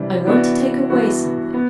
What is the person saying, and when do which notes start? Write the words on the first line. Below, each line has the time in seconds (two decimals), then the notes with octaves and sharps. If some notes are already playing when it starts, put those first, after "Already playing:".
I want to take away something.'
Already playing: C3 E3 G3 D4
0.25 E3 B3 D4 F#4
0.90 G2 E3 B3 F#4
1.54 B3